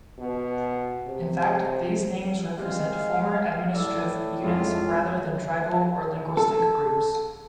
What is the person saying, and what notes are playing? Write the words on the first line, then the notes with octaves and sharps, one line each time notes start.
In fact, these names represent former administrative units rather than tribal or linguistic groups.
B2
C3
G3 G#3 C4 F5
A2 D5 E6
F2 G#3 F4
A4